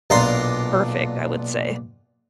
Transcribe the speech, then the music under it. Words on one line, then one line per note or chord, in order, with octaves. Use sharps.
perfect, I would say.
B1 A#2 D4 A#5 C6